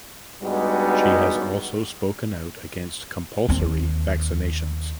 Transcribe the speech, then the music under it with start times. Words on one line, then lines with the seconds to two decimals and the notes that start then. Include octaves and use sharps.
She has also spoken out against compulsory vaccinations.
0.42 G2 G3 G#3 B3 D#4 F#4
3.49 D#2 C4